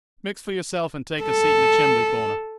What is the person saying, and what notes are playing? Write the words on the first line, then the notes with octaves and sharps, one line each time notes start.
Mix for yourself and take a seat in the chimbley-corner.
A4